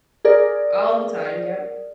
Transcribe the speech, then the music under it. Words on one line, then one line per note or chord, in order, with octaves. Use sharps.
All the time, yep.
G#4 A#4 D5